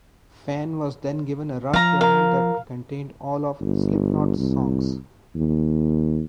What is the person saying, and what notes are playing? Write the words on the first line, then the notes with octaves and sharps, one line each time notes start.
Fehn was then given a rough demo that contained all of Slipknot's songs.
F3 F5 A#5
A#4 F5 A#5
G1
C2
D#2